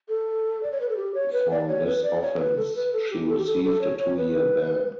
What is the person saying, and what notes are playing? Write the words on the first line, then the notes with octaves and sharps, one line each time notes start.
For this offence she received a two-year ban.
A4
D5
C#5
B4
A4
G4
C#5
B4
D5
C#5
B4
D5
C#5
B4
A4
B4
A4
G4
A4
G4
A4
A4
C#5
C#5
B4